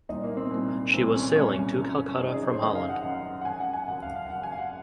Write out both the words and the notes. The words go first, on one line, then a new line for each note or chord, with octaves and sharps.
She was sailing to Calcutta from Holland.
C2 A#2 D#4
A#3
C4
C2 A#2
C2 A#2 C4
C#4
C2 A#2 C#4
F#2 C#3
C#4
F#2 C#3 D#4
G#4
C5
F#2 C#3 D#5
F5
F#5
F#2 C#3 F#5
F#5
F#2 C#3 G#5
F#5
G#5
F#2 C#3 F#5
F5
F5
F#2 C#3 F#5
G#5
F5
F#5